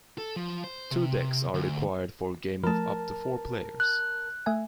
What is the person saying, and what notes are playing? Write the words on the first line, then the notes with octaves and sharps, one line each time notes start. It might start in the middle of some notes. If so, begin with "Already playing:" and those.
Two decks are required for game of up to four players.
A4
F3
C5
C3
D2
F3 A3 A#4 A5
F#6
A3 E5 G#5